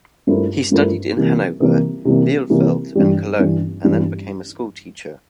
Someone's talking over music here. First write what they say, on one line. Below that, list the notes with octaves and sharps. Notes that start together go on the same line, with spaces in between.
He studied in Hanover, Bielefeld and Cologne, and then became a schoolteacher.
G2 F3 A3 E4 A#4
G2 F3 A3 E4 A#4
C3 E3 G3 A#3
C3 E3 G3 A#3
C3 E3 G3 A#3
C3 E3 G3 A#3
G2 E3 G3
G2 E3 G3
G2 E3 G3